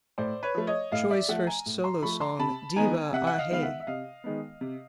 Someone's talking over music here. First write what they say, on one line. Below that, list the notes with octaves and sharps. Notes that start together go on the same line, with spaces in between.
Choi's first solo song, Diva, Ah Hey!
A2 C5 D5
B4 C#5
F3 A3
C#5 D#5
A2 D#5 F5
D5 E5
F3 A3 E5 F#5
G#5 A#5
A2
A#5 C6
F3 A3 B5 C#6
A#5 C6
C3 A5 B5
D#3 G#3 B3 G#5 A#5
C3 E5 F#5
F#5
D#5 F5
D#3 G#3 B3 F5
E5 F#5
E5
C3 D#5 F5
D#3 G#3 B3
C3